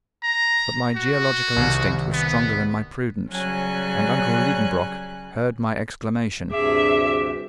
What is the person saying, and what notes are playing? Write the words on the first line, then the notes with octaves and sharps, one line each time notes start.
But my geological instinct was stronger than my prudence, and uncle Liedenbrock heard my exclamation.
A#5
F#4
C2 C3 D#3
B3
C#3 F#3 G3 C#4 G#5 F#6
D2 G2 C3 G#4 E5 D6